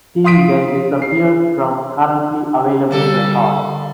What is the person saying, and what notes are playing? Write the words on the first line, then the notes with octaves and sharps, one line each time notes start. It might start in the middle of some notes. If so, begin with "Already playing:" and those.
She then disappears from currently available records.
F5 C6 D#6 B6 D7
C7
D3 G3 A#3 A4